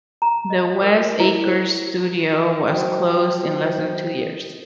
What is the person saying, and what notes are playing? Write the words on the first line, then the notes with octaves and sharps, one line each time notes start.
The West Acres studio was closed in less than two years.
A#5
D#5
A#4
E4
C5
F#3 F#4 C5 G5 D#6